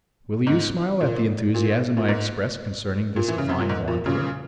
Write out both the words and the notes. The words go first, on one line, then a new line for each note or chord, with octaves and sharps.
Will you smile at the enthusiasm I express concerning this divine wanderer?
G#2
A#2
A#2
A#2
G#2
A#2
E3
C#3
C3
A#2
G#2
A#2
A#2 C#3